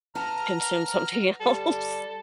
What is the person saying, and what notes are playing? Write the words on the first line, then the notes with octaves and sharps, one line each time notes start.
consume something else.
B4 F#5 A5 A#5 F6
G3 A4